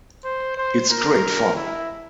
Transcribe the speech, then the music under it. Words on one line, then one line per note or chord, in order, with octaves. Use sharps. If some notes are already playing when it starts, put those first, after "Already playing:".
It's great fun.
C5
C5
A#4
E4